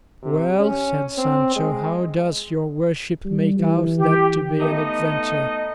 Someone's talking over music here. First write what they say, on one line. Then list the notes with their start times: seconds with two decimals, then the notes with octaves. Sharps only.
"Well," said Sancho, "how does your worship make out that to be an adventure?"
0.23 C3
0.58 C#4
1.18 C4
1.56 G#3
3.25 G3
3.59 E3
3.97 G4
4.60 A3 B3 D#4 D#5